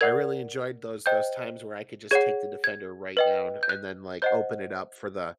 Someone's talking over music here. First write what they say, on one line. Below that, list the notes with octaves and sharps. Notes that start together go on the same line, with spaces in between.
I really enjoyed those those times where I could just take the defender right down and then like open it up for the
A#4 D5 F#5 G#6
C5 D#5 G5 G6
G#4 C#5 F#5 G#6
G#6
B4 D#5 G5
G6
F#6
C5 D#5 F#5 G6